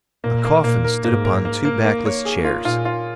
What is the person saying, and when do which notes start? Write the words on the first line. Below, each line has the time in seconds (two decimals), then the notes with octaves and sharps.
A coffin stood upon two backless chairs.
0.24 A#2 A#3
0.45 A#3
0.64 A#2 A#3
0.84 A#4
1.04 G#2 A#3
1.25 A#4
1.45 A#3
1.65 A#3
1.85 A#3
2.05 C#5
2.25 G#4
2.45 F4
2.65 A#2 F4
2.85 F4